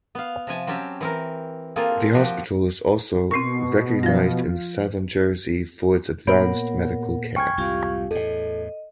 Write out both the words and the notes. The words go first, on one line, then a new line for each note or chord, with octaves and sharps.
The hospital is also "Recognized in Southern Jersey" for its advanced medical care.
B3 F5
C3 F3 G#5 A5
F#3 C4 C#4 G4 A5
E3 C4 A#4
A#3 C4 F4 G#4 A4
F3 F#4 G4
B2 C4 A#4 C#6 C7
F3 F4 A#6
A#2 A#3 B3 A#4 C#5 F#5 B5
G5 G#5 C#6 F6 G#6
C2 F2 G#2 F4 G4 F5
E2 A2 A4 D#5